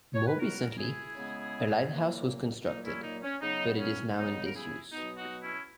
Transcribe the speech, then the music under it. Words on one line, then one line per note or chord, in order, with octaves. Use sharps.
More recently a lighthouse was constructed, but it is now in disuse.
C#5
B4
C#3 G#3 B3 F#4 A#4
A#4
E4 G#4
C#3 G#3 B3
A#2 F#3 A#3
A#2 F#3 A#3 D#4
C#4 E4
D#4
C#4
C#3 F#3 B3 D#4
C#4
C#3 F#3 B3 D#4
A#4
E4 G#4
B2 F#3 B3 D#4
D#4 F#4
C#4 E4